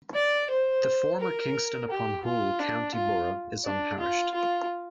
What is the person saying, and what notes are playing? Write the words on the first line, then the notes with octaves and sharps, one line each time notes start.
The former Kingston upon Hull County Borough is unparished.
D5
C5
A#4
G4
F4
D4
F4
D4
F4
F4